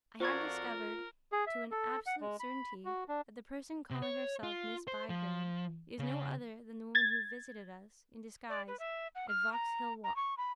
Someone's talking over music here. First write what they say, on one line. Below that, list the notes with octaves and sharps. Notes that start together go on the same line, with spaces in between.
I have discovered, to an absolute certainty, that the person calling herself Miss Bygrave is no other than the woman who visited us in disguise at Vauxhall Walk.
F2 F4 F#4 A#4 C5 D5 C#6 G#6
G#4
E5
A4
F#5
G#3
B5
F#4
D4
C3
C#5
F4
C5
F3
C#3
G#6 A6
D5
B4
E5
F#5
F6
A#5
A#5
C#6
B5